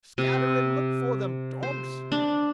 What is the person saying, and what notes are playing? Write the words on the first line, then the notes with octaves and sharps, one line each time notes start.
Scatter and look for them, dogs!
C3
C5
D4